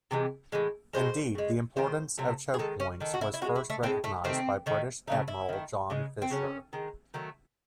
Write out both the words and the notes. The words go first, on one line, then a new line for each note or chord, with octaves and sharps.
Indeed, the importance of choke points was first recognised by British Admiral John Fisher.
C3 E3 G#3
A2 E3 G#3
A2 G#3 C5
C#3 G#3
D#3 G#3 C5
C3 F#3 A3
G#4
D#3 G#3 A4
C#4
D#3 A3
F#4
E4
E4
D#3 F#4
G#3
E4
A3
A2 G#3 C4
A3
C3 D#3 A3 C4
D#3 A3
C#3 F#3 A3 D#4
E4
D#3 A3
C#3 G#3
C4
C#3 F#3 A3 C#4
D#3 G#3
D#3 F#3 A3